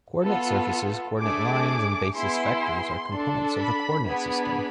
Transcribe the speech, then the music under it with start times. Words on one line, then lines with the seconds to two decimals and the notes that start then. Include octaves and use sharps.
Coordinate surfaces, coordinate lines, and basis vectors are components of a coordinate system.
0.23 B3 F4 A4
1.19 A3 D4 G#4 D6
2.15 B3 E4 G#4 C6
3.11 D4 A4
3.59 B5
4.07 B3 D4 G#4 B5